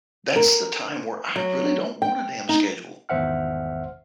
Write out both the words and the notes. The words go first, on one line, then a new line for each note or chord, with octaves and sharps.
that's the time where I really don't want a damn schedule.
A#4
F#3
G5
D#4
G#1 E2 C5 E5 F#5 F6